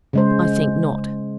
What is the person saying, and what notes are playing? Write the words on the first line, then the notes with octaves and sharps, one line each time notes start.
I think not.
C#3 G#3 C5